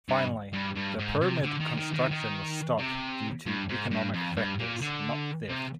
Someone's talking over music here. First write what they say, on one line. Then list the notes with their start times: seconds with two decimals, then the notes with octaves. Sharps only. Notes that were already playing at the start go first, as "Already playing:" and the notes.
Finally, the pyramid construction was stopped due to economic factors, not theft.
0.09 G2
0.53 G2
0.76 G2
0.99 G#2
1.21 C3
1.43 D3
1.60 D#3
1.77 D#3
1.94 D#3
2.11 D#3
2.79 C3
3.46 G2
3.69 G#2
3.91 G2
4.14 F2
4.37 G2
4.59 A#2
4.81 D3
5.49 C3